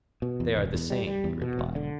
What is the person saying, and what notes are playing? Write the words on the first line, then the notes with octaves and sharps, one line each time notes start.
They are the same, he replied.
B2
E2
E1
E2
G3
G3
E2
B2
E1
D3